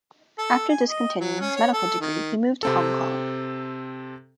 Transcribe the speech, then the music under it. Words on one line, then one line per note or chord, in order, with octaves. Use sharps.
After discontinuing his medical degree, he moved to Hong Kong.
A4
G#5
D#5
F#3
C#4
C#5
A4
D#3
C3 C4 A4